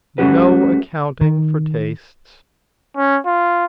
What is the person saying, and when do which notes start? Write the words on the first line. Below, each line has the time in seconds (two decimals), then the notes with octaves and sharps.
No accounting for tastes!
0.18 G3 A3 C#4 F#4 G4 B4
1.21 D#3
2.96 C#4
3.26 F4